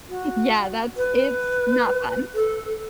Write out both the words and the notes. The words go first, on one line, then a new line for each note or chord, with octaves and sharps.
I yeah. That's it's not fun.
F#4
B4
A4